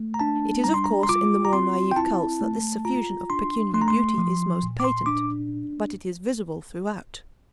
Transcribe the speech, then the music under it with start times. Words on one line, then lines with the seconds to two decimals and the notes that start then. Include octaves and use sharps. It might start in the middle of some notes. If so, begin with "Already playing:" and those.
It is of course in the more naive cults that this suffusion of pecuniary beauty is most patent, but it is visible throughout.
Already playing: A3
0.14 A#5
0.19 D4 A5
0.64 G3 A#5
0.74 C6
0.84 A#5
1.03 C6
1.09 F4 D6
1.45 A#5
1.53 C4 C6
1.92 G5
1.96 E4 A5
2.41 A3
2.85 F4 A#5
3.30 D4 C6
3.74 A3 C6
3.82 A#5
3.88 C6
4.18 F3
4.63 A#2
4.80 D6
4.84 C6
5.06 D4 D6